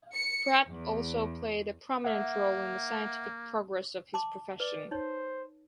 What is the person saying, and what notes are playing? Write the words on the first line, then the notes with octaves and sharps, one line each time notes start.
Pratt also played a prominent role in the scientific progress of his profession.
C#7
E2
A#3 E5 F#5
A5 C6 D6
B4 D5
D#4 C5 C#5